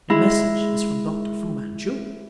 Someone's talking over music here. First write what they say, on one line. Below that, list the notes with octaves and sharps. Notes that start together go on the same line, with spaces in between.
"The message is from Dr. Fu-Manchu!"
G#3 E4